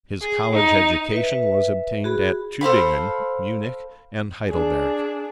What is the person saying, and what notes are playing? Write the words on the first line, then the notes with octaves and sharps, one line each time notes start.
His college education was obtained at Tuebingen, Munich, and Heidelberg.
G#4
D#4
B4 E5
F#4 G#4 B5
A4 C5 F5 B5
D4 G#4